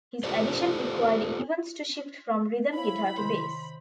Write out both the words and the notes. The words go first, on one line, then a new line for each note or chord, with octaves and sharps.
His addition required Evans to shift from rhythm guitar to bass.
F4 G4 A4 C5 D5
E4 C5 C#5 F5 B5
C3 D#3 C5